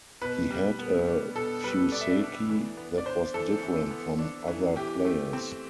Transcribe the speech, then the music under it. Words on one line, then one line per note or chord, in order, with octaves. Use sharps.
He had a fuseki that was different from other players.
B2 B4
G3
B3
D4
B2 A4
G3 B4
B3 D5
E5
D5
D4
E3
B3
D5
D4 C5
E3 A4
E3
B3
D4
E3
E3 G4
A3
C4